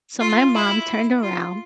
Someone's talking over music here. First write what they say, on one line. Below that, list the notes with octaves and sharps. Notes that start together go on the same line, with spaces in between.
So my mom turned around
F4
E4
F4